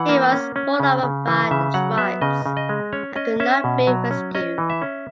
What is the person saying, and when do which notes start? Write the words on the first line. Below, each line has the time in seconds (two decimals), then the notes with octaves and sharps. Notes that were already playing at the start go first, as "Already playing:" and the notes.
He was rolled over by the tribes and could not be rescued.
Already playing: E3 F#5
0.09 A#3
0.33 C#4
0.56 C#4
0.80 C#3
1.03 C#3
1.28 E3
1.51 C#3 E5
1.74 F#3 F#5
1.98 B3 E5
2.21 C#3 D#5
2.46 C#3
2.57 D#5
2.69 G#3
2.93 C#4 C#5
3.16 C#4 D#5
3.40 C#4 E5
3.64 B2
3.87 F#3
4.11 C#4
4.35 C#4 D#5
4.58 E3
4.70 E5
4.82 C#4